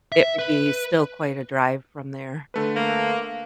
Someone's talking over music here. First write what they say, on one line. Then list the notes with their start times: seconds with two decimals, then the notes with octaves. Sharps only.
it would be still quite a drive from there.
0.12 E5
0.39 B4
2.54 D3 A3 B4
2.76 A#3